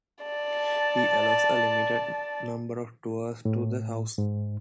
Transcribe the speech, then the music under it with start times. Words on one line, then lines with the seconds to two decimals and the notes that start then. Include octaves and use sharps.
He allows a limited number of tours to the house.
0.25 D5 A5
3.45 A2
4.18 G#2